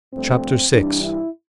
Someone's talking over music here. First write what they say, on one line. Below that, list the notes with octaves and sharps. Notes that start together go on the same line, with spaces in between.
Chapter VI.
G2 F3 A3 C4
G2 E3 G3 D4
E4